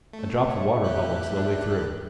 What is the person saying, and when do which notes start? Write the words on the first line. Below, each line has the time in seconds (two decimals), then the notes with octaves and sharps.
A drop of water bubbled slowly through.
0.13 A3
0.48 C#5 E5
0.84 A2 G4 F#6
1.36 D4